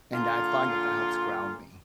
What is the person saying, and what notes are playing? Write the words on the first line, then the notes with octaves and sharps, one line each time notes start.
And I find that that helps ground me.
A#2 D3 F4